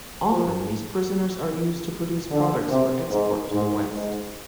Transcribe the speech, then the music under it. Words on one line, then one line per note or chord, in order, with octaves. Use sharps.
Often these prisoners are used to produce products for export to the West.
F3
D3
C3
G#2
G#2
G#2